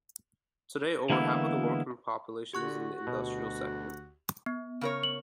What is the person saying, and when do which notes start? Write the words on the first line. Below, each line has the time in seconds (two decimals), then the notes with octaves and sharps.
Today over half of the working population is in the industrial sector.
1.10 D3 E3 G#3 A#3 B3 E4
2.53 D3 F#4 G4 C#6 F#6
3.07 D2 B2
4.46 B3
4.81 C#3 A#4 C#5
5.03 F#7